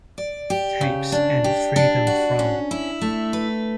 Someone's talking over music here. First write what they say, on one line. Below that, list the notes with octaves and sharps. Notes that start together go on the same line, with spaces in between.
Tapes and Freedom From.
D5
G4
C#3
D4
G4
D4
F#4
C#4
E4
A3
B4